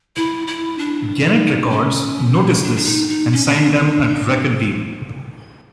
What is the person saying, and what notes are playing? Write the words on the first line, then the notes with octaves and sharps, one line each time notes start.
Genet Records noticed this and signed them a record deal.
E4
E4
D4
D#4
C#4
D4
D4
D#4
D#4
C#4
C#4
D4